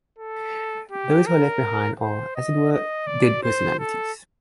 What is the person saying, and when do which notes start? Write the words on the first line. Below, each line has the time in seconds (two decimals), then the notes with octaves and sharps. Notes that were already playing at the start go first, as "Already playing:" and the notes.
Those who are left behind are, as it were, dead personalities.
0.19 A4
0.91 G4
1.27 A#4
1.99 C5
2.36 D#5
2.72 D#5
3.07 D5
3.43 C5
3.79 A4